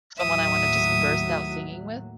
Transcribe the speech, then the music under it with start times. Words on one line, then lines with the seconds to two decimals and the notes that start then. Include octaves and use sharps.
someone I wanna just burst out singing with.
0.18 D#2 A2 F#3 E5 D#6